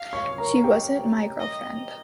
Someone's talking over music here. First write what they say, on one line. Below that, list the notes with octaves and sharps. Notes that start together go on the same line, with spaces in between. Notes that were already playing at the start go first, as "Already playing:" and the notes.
She wasn't my girlfriend.
Already playing: F5
C#5 C#6
A#4 A#5
G4 G5
D#5